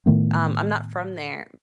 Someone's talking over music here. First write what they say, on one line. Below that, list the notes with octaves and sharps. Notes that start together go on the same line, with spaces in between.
um, I'm not from there,
A2 D#3 A3 B3